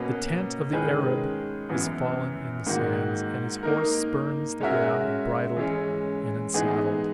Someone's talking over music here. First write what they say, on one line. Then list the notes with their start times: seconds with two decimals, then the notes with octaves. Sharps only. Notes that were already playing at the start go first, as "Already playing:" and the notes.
The tent of the Arab is fallen in the sands, and his horse spurns the ground unbridled and unsaddled.
Already playing: B2 A#3 C#4 F#4 B4
0.73 D#3 G#3 C#4 G#4 B4
1.69 F#2 E3 B3
2.67 G#2 D#3 A#3 D#4 F#4
3.63 A#3 D#4 A#4
4.60 G#3 C#4 F#4 A#4 E5
5.57 E3 G#3 C#4
6.54 E3 G#3 B3 D#4 G#4